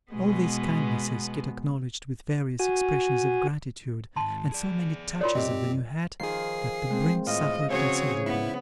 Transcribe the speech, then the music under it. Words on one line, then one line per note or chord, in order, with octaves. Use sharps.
All these kindnesses, Kit acknowledged with various expressions of gratitude, and so many touches of the new hat, that the brim suffered considerably.
B2 G#3 B3
F#4 G#5
G#2 D#3 A5 C6
G#4 D5
F4 A#4 C#5 D5 C6
B1 F#2 C4 G4 D#5
D#3 F3 G#4 C7
G#3 C4
A2 F4 D#5 F5
C#3 F3 C4 C#4 F#4 G#4 C#5
B3 E4